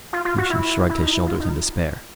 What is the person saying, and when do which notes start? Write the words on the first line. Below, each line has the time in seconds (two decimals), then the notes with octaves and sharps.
Lucian shrugged his shoulders in despair.
0.13 F4
0.25 F4
0.38 F#4
0.50 E4
0.90 E4
1.02 D#4
1.14 E4
1.26 F4
1.40 D#4